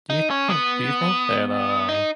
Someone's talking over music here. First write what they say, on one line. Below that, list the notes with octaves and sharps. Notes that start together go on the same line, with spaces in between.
Do you think do you think that, uh,
D#4
C#4
B3
D#4